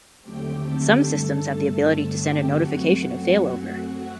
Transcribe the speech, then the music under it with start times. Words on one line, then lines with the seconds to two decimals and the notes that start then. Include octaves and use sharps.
Some systems have the ability to send a notification of failover.
0.21 D#2 D3 F#3 A3 C4 G4 G5
0.61 A4 A5
0.99 G2 D3 A3 A4 A5
1.76 G2 D3 A3 C4 A4 A5
2.15 G4 G5
2.53 F#2 F#3 A3 C4 F#4 F#5